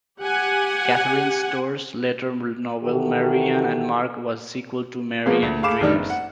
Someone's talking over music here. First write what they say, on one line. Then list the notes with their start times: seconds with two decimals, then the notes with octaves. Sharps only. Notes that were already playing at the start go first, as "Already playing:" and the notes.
Catherine Storr's later novel "Marianne and Mark" was a sequel to "Marianne Dreams".
0.22 G4 F#5 G#5
2.82 D#3 E3 F#4 G4 A4
5.26 B2 F3 G#3 A#3 B3
5.43 D2
5.62 A3 G#4 F5 B5 D6 E7
5.81 F1 D#3 G3 D4 D#4
5.95 F#1
6.10 F#5